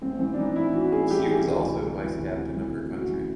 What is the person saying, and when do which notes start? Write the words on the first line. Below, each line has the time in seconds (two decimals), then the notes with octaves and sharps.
She was also vice-captain of her country.
0.02 A1 C4
0.19 E3 C4
0.34 D4
0.37 E3 D#4
0.56 E3 E4
0.73 E3 F#4
0.92 A1 G#4
1.09 E3 G4
1.28 E3 G#4
1.46 D2
1.64 C3
1.82 C3
2.01 E3
2.19 D2
2.36 C3
2.54 E3
2.73 D2
2.91 A1 F#4
3.09 E3